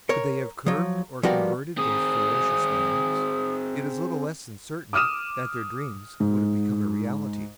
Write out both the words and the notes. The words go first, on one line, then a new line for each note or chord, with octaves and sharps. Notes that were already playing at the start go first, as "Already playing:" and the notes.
Could they have curbed or converted those ferocious bands, it is little less than certain that their dream would have become a reality.
A#4 C#5
F3 F#3
F3 G3 A#3 B3 F#4 G4
C4 G#4 D#6
D6 D#6 F6 D#7 E7
G#2